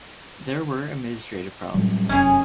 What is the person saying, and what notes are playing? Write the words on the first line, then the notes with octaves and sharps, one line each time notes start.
There were administrative problems.
A2 F#3 G3
F1 F#2 C#4 G#4